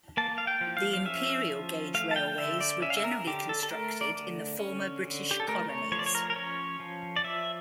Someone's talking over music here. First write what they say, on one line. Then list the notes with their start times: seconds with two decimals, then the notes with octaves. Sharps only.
The imperial gauge railways were generally constructed in the former British colonies.
0.17 A#3 A5
0.38 F5
0.47 G5
0.61 F3
0.77 F5
0.93 F5
1.05 C#4 E5
1.50 F3
1.94 A3 F5
2.11 A5
2.16 G5
2.38 D3 E5
2.61 D5
2.82 C#4 E5
2.90 F5
2.97 E5
3.04 A#4
3.27 D3 G4
3.49 A4
3.63 A4
3.71 A3 A#4
4.01 D5
4.15 D3
4.59 C#4
5.04 D3
5.31 G4
5.40 A4
5.48 A3 A#4
5.69 C#5
5.92 F3 C#5
5.99 D5
6.06 C#5
6.15 A#4
6.30 A#4
6.36 C#4 C#5
6.80 F3
7.16 D5
7.24 F3 E5